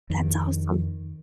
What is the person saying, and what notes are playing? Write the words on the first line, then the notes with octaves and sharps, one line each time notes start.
That's awesome.
F2 D#3